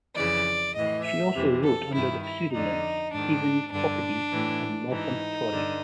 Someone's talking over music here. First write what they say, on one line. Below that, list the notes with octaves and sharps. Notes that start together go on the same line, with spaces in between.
She also wrote under the pseudonyms Stephen Hockaby and Malcolm Torrie.
F2 C#3 E3 D5
A2 E3 D#5
E5
F2 C3 E3
A4
G2 D#3 E4
E4
F2 D3 D#4
G#2 D#3 D4
G2 D3 D4
A2 E3
G#2 E3 D#4
G2 D3